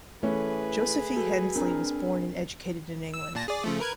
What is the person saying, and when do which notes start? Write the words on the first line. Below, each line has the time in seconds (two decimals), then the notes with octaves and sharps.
Josephy Hensley was born and educated in England.
0.23 E3 A3 C#4 G#4 B4
1.16 F#4 A4
1.56 C4 D4 A#4
3.14 E6
3.35 A#2 A5 A#6
3.48 G#4 D5
3.64 C#3 F3 A3
3.80 A#4 B4 G#6